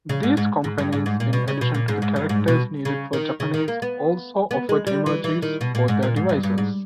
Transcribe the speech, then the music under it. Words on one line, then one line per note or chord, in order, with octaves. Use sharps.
These companies, in addition to the characters needed for Japanese, also offered emojis for their devices.
C#3
G#2
G#2
G#2
G2
G#2
G#2
A#2
B2
C#3
B2
A#2
G#2
G#2
G2
G#2
B2
C#3
D#3
C#3
D#3
A#3
B3
B3
G#3
G3
E3
E3
D#3
B2
A#2
G#2
A#2
G#2
G2
G2
G#2